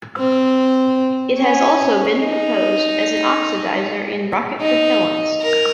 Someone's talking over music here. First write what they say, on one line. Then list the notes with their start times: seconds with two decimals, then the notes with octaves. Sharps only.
It has also been proposed as an oxidizer in rocket propellants.
0.17 C4
1.39 C#4
2.19 D#4
4.61 D#4
5.42 A#4